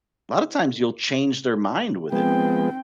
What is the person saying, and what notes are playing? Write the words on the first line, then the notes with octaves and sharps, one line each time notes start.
lotta times you'll change their mind with it.
F3 G#3 B3 C4 G5